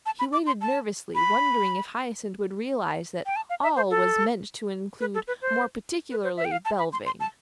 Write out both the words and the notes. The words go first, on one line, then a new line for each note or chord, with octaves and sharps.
He waited nervously, wondering if Hyacinth would realise that "all" was meant to include more particularly Belvane.
A5
B5
D6
C6
A5
B5
G5
A5
F5
E5
C5
A4
B4
A4
B4
C5
B4
C5
E5
G5
F5
A5
B5
C6
C6
A5